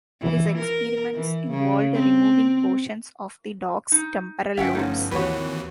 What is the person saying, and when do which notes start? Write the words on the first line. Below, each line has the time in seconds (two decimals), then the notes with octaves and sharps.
His experiments involved removing portions of the dogs' temporal lobes.
0.21 E3
0.58 A#4
1.14 E3
1.50 C#3
1.94 C4
3.92 D#4
4.58 G1 C#4 E5 F#5 G5
4.75 F3 A3 B3 C#4 D#4 F4
5.11 G#1 D#2 E3 F#4 B4 C#5 F#5